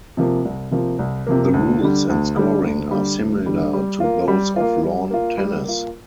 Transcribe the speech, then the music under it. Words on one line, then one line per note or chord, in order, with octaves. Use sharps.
The rules and scoring are similar to those of lawn tennis.
C3 F3 A#3
C2
C3 F3 A#3
C2
C3 F3 A#3
D2
D3 G3
D2
D3 G3
D2
D3 G3
D2
D3 G3
G3
A#3 F4
G3
A#3 F4
G3
A#3 F4
G3
A#3 F4